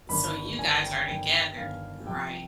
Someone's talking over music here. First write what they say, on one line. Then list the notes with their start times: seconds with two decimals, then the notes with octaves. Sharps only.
So you guys are together, right.
0.09 G1 G2 D#3 B5
0.58 G1 G2 D#3 G#5
0.84 G5
1.08 G1 G2 D#3 G5
1.57 G1 G2 D#3 F5
2.07 C2 C3 F3 G5